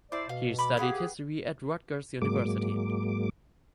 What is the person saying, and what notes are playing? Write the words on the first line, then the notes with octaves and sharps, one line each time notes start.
He studied history at Rutgers University.
E4 C5 D5 A5 D6
B2 F5
B5 D6
G4 G#4 B4 F5 F#5
G#2 F#3 G#3 A#3 D6